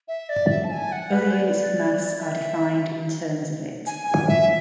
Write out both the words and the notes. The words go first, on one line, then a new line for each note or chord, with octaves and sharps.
Other units of mass are defined in terms of it.
E5
D5
E5
A5
G#5
F#5
B4
D5
E5
G#5
G#5
E5